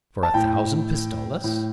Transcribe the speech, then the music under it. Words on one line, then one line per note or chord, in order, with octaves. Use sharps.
"For a thousand pistoles?"
A5
A2 G5
A2